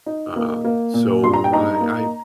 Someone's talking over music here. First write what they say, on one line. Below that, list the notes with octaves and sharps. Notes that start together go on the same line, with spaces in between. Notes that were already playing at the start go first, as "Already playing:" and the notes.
um, so, I I
D#4
A#3
A#3
A#2
G2 C6
A#5
G5
D#4 A#5
A#3